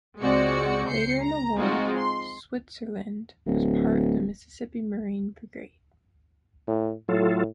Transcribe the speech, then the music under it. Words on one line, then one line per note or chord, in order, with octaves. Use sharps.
Later in the war, "Switzerland" was part of the Mississippi Marine Brigade.
C#2 G#3 C4 F#4 D5 C#7
C#2 G6 C7 C#7
A#5
F3 G#3 C4 D#4 F4 F#4
C6
D1
A2
A2 F#3 F4 A4